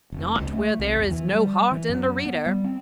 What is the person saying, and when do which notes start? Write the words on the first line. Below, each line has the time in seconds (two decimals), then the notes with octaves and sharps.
"Not where there is no heart in the reader."
0.12 F1
0.39 C#2
0.53 A3
0.79 C2
0.99 E2
1.11 E3
1.33 G3
1.72 E3
1.89 F#2
2.26 B3
2.46 G3
2.64 C4